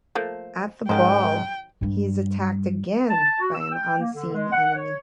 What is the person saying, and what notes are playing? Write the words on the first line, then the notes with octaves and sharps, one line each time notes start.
At the ball, he is attacked again by an unseen enemy.
F3 A3 A#3 C5
G#2 D#3 F#3 G#3 C#4 C5 G5
G2 G3
A5
F#4
E6
G5
A#3
D3
G#3
F#5
C#5